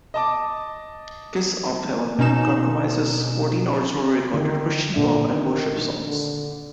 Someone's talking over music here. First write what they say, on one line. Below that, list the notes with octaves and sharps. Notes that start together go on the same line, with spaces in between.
"Kiss of Heaven" comprises fourteen originally-recorded "Christian pop" and worship songs.
D#5 A5 D6
B2 C#4 D#4 E7
D3 D#3
A#2 D3 D4 E5
D#3
D3